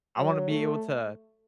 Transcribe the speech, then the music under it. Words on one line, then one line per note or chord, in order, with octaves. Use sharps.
I wanna be able to
F#3
A3